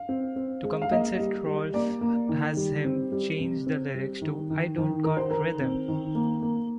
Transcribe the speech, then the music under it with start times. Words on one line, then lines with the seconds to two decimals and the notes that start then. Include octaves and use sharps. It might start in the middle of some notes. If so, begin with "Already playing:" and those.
To compensate Rowlf has him change the lyrics to "I don't got Rhythm".
Already playing: F5
0.09 C4
0.36 C4
0.64 G#3
0.82 F5
0.91 A#3 D#5
1.19 G3
1.46 G3
1.74 A#3 D5
2.01 A#3
2.29 D#3
2.57 G3
2.85 C4
3.12 G3
3.40 C3
3.67 C4
3.95 G3
4.22 D#3
4.50 D#3
4.78 D#3
5.04 D#3 A#4
5.17 C5
5.31 D#3 A#4
5.61 C4
5.88 D#3
6.15 A#3
6.42 A#3